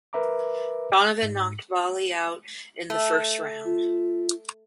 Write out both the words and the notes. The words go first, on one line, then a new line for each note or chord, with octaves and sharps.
Donovan knocked Balli out in the first round.
A#4 B4 E5 A#5 D6
G#2
A3
F4